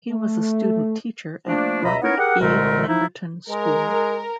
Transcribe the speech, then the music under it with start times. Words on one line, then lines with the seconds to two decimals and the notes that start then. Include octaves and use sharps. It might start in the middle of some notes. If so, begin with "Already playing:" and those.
He was a student teacher at Robert E. Lamberton School.
0.11 A3
1.47 F3 A3 A#3 D4
1.84 C#2 B2 D#5 E5 A#5 B5
2.02 B3 C#4 D#4 E4 A#4 C#5
2.18 G4 G#4 A#4 F#5
2.40 C2 A#2 D3 G#3 A3 A#4
2.88 F3 D#4 E4
3.49 G#3 A#4